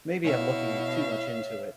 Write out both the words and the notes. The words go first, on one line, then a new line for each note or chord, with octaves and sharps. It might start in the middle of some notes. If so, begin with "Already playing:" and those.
Maybe I'm looking too much into it.
B2 E4 C#5 E5 F5